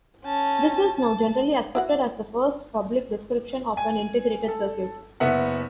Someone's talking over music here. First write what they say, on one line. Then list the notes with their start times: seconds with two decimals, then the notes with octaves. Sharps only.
This is now generally accepted as the first public description of an integrated circuit.
0.25 C#4 A5
0.97 A5
1.75 E4 F#4 F#5
3.77 G#5
4.48 A4
5.20 F#1 B3 E5 F#5